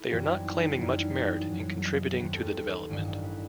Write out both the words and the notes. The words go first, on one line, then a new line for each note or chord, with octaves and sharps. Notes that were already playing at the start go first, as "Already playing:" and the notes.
We are not claiming much merit in contributing to the development.
Already playing: A3 E4
F#2 E3 G3 C4 F#4
D#4
E4
D#4
F#2 E3 G3 E4
D#4
E4
F#2 F#3 B3
D#5
D#5
E5
G4
D#2 D#3 F#3 C4 F#4
G4 A4
A1 G2 D#3
B4